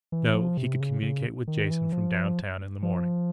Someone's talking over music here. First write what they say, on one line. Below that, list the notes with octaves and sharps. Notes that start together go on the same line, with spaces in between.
No; he could communicate with Jason from downtown in the morning.
E3
F3
C3
C#3
C#3
D#3
E3
F3
F3